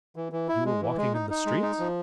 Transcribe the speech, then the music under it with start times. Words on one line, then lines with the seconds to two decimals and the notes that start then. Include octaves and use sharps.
"You were walking in the streets?"
0.16 E3
0.32 E3
0.48 E4
0.66 G#3
0.82 E3
0.97 G#3
1.14 D#4
1.30 D#4
1.46 G#3
1.62 D#4
1.79 F3